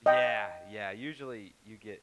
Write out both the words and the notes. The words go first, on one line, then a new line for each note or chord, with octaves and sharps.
Yeah, yeah, usually you get
D#5 G5